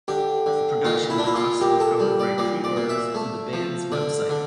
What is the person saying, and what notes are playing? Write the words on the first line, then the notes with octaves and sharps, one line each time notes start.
The production costs were covered by pre-orders through the band's website.
D3 G4
D3
A#2 F4
E4
D4
A#2 E4
F4
A#2 G4
A4
G3
D5
A#2 D5
D5
A#2
E5
A3
F3
D3 D5
D3